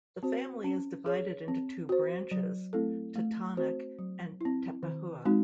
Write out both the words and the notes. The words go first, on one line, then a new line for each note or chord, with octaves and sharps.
The family is divided into two branches, Totonac and Tepehua.
C4 F#4 C5
C#4
G#4 C#5
C4
F#4 C5
F#3
A3 C4 E4 A4
A3
C4 F#4 C5
F#3
C4 E4
D#3
G#3 C4 D#4 F#4